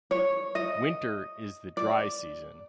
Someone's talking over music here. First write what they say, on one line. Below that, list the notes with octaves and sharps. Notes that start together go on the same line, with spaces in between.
Winter is the dry season.
C#5
D#5
D5